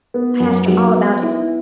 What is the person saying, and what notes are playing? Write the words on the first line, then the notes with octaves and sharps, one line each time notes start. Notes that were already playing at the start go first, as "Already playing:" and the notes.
I asked her all about it.
B3
F#2
F#3
B3
E4